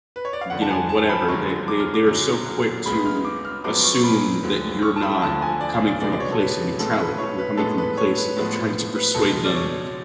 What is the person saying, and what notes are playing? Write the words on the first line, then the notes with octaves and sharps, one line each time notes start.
You know, whatever. They they they are so quick to assume that you're not coming from a place of neutrality, you're coming from a place of trying to persuade them
B4
C#5
D5
F5
F2 D3 F3 F#5
A5
G#5
A5
B5
F#2 D3 F3 G#3 C#6
D6
F6
D6
F#2 D3 F#3
C#2 C#3 G#3 B3 B5
F6
D6
F6
F#2 F3 G#3 B3 D6
C#6
C#6
B5
D2 D3 F3
C#6
A5
B5
D2 D3 F3 A5
G#5
D5
F5
D5
C#2 B2 G#3 B3 D5
D5
C#5
A4
B4
A2 G#3 B3 A4
B4
C#5
B4
A2 G#3 B3 A4
B4
C#5
B4
A2 F3 G#3 B3
B4
C#2 B2 G#3 A4
D5
C#5